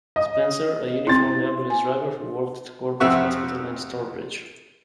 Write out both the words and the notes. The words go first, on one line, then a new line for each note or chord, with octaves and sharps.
Spencer, a uniformed ambulance driver who worked at Corbett Hospital in Stourbridge.
D#5
C4 E4 C6 A6
G#5
F2 C3 C4 E5 F#5 C#6